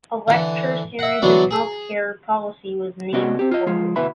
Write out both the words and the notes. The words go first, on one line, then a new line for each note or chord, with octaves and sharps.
A lecture series in health care policy was named for him.
D3 E3
E5 F#5
D3 E3 F#3 B3 D4
G#4
C3 B3 C#4 F#4 D5 D#5
C4 G4
F4 D#5
F3 G#3 F4
D2 B2 E4 B4 E5 B5